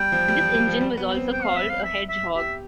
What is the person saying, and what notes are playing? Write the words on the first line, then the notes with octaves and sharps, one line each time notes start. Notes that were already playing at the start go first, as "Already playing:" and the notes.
This engine was also called a "hedgehog".
Already playing: G3 G5
F3
G3
F3
G3
F3
G3
B3
C4
G5
F5
E5
F5
E5
E5
G4 E5